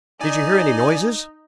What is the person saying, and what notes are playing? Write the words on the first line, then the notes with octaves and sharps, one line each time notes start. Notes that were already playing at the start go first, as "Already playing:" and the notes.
"Did you hear any noises?"
D#4 D5 G#5